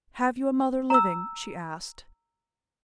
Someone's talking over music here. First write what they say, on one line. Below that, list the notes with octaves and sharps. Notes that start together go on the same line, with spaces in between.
"Have you a mother living?" she asked.
A#5 E6